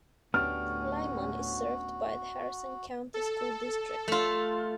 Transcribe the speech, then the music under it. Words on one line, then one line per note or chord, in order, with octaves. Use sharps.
Lyman is served by the Harrison County School District.
D2 A2 B3 C#4 D4 F#4 G4 F6
A4
A3 F4